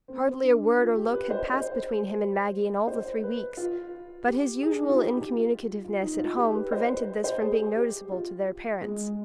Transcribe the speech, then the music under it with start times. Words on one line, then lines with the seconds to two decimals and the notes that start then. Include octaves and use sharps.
Hardly a word or look had passed between him and Maggie in all the three weeks; but his usual incommunicativeness at home prevented this from being noticeable to their parents.
0.08 C4
0.43 D4
0.78 F4
0.96 G4
1.13 B4
1.31 C5
1.53 C5
2.88 C5
3.23 B4
3.57 F4
4.28 G4
4.62 G#4
4.74 D4
4.82 D#4
4.90 F4
4.98 G4
5.32 F4
5.84 F4
6.02 D#4
6.14 D#4
6.19 F4
6.37 G4
6.54 B4
6.72 C5
6.89 B4
7.24 C5
7.42 G#4
7.59 G4
7.77 G4
8.11 F4
8.81 G#3